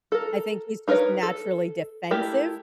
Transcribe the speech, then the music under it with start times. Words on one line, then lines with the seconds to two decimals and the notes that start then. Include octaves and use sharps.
I think he's just naturally defensive,
0.12 A4 A#4
0.88 D#4 A#4 B4 C#5
1.23 A4
2.11 A3 E4 G4 A#4